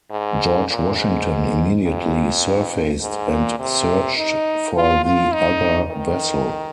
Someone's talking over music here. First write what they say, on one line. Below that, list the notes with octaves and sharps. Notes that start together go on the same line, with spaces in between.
"George Washington" immediately surfaced and searched for the other vessel.
G#2
A#2
G#2
F2
G#2
A#2
C3
D#4
F4
F4
D#4
D#3